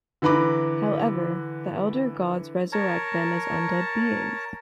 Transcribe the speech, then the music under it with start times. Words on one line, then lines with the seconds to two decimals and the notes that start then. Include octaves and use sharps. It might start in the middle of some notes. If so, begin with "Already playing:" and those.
However, the Elder Gods resurrect them as undead beings.
0.22 D3 E3 B4 A#5 B5 D6
2.72 A#4 C#5 A5